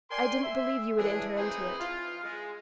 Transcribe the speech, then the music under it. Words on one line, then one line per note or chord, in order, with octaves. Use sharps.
I didn't believe you would enter into it.
A#4 D5 G5 G#5 C6
E5
A2 E3 D4 G#4
E3 C4 D#4 G#4 B4 C5
F4
G#3